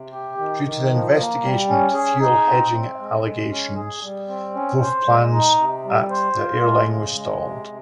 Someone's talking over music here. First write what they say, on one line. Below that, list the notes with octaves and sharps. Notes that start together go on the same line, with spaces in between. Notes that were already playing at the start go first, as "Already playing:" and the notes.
Due to the investigation into fuel-hedging allegations, growth plans at the airline were stalled.
Already playing: C3
G4
D#3
D#3
F3
A#3
G3
C#4
G#4
D#4
C4
C4
G#3
G#3
C#4
G#4
G3
C4
C#4
C5
G#3
D#4
C3
G3
C5
F4
G#3
C#3
G#3
C3
C3